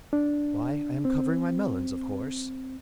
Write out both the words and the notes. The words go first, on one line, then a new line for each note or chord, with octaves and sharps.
"Why, I am covering my melons, of course!"
D4
C4